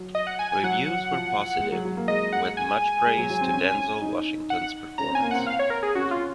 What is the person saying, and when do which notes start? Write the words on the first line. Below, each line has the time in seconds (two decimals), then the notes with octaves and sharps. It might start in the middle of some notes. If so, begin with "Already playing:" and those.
Reviews were positive, with much praise to Denzel Washington's performance.
Already playing: F#3
0.15 D#5
0.27 F#5
0.39 G#5
0.52 G#5
0.63 F#3 F#5
1.12 F3
1.60 G#3
1.72 F#3
1.85 F#3
1.97 A#3
2.08 G#3 D#5
2.33 F#5
2.57 G#5
3.05 G#3
3.17 F#3
3.30 F#3
3.41 C4
3.54 C#4
4.01 D#4
4.50 F#5
4.98 C#4 A#5
5.11 C4 G#5
5.22 A#3
5.31 C4 F#5
5.47 F5
5.59 C#5
5.70 A#4
5.83 G#4
5.95 C#4 F#4
6.11 F4